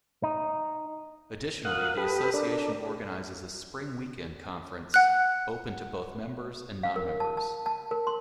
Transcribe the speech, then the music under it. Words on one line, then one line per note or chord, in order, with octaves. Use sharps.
Additionally, the association organizes a spring weekend conference open to both members and non-members.
D#4
A#4 F5 F#5 D#6 F#6
G4 A4 B4 G5 B5 D#6
D4 A4 A#4 D5
G#4
F#5 F#6
F5
A#4
A5
A5
A5
A#4
C6